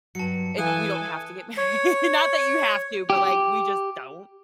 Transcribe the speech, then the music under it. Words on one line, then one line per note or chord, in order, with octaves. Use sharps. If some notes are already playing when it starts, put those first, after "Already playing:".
it we don't have to get married, not that you have to, but like we just don't.
G2 F#3 A5 C#7
E3 A4 F5 G#5 D#6 F#6
C#5
G4